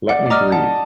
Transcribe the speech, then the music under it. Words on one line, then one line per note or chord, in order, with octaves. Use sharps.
Let me breathe!
D5 F#5
D5
D#5 A#5 D6 F6
F#5 A5